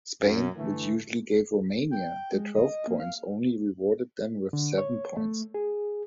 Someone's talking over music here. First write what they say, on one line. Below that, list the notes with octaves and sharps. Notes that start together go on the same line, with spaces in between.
Spain, which usually gave Romania their twelve points only rewarded them with seven points.
F#2
D3 E3 A3
G5
G#3
D#5
A#3
F5
D3
C#5
A3
G#4